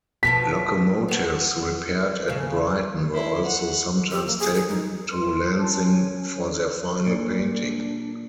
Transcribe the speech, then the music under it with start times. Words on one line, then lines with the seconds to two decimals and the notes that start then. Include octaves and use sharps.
Locomotives repaired at Brighton were also sometimes taken to Lancing for their final painting.
0.23 B2 F3 A4 B6
1.08 B3 F#4
2.28 G#2 C#3
3.14 E4 C6
3.44 F#5
4.12 G4
4.26 A#3
4.39 G#4
4.55 G#4
4.69 D#4
5.11 B4 C6
5.59 C#4 A5
5.89 C#5
7.06 A#2 D4